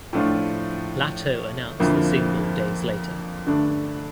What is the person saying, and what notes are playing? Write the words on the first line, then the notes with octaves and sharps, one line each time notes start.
Latto announced the single days later.
A2 F3 A3 D4 F4
F2 D3 F3 A#3 E4
G2 D3 A3 D4 A4